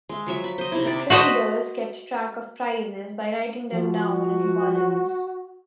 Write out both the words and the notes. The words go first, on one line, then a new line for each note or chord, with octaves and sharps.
Traders kept track of prices by writing them down in columns.
G#3 E5
F3 F#3 E5
B5
C5 D#5
C3 D#4 E4
C4 G4 C5 D5
F#4 B4 C5 D#5
F3 F#4